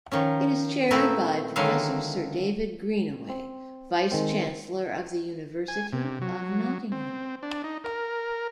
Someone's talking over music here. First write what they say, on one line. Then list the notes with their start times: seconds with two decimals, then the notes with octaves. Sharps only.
It is chaired by Professor Sir David Greenaway, Vice-Chancellor of the University of Nottingham.
0.12 D#3 F3 C#4
0.91 A#2 A3 C4 E4 B4 A#5
1.56 D3 D#3 F#3 G#3 E4 F5
3.29 C4
4.12 D#3 G#3 C4
5.68 G#5
5.93 C3
6.22 F#3
6.92 C4
7.43 D4
7.64 D#4
7.84 A#4